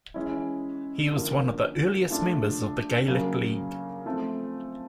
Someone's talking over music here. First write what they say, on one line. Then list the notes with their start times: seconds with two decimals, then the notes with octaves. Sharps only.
He was one of the earliest members of the Gaelic League.
0.14 E3 G#3 C#4 E4
1.12 D3 F3 A#3
2.10 F3 A3 D4
3.08 C#3 F#3 A#3
4.05 F3 A3 C4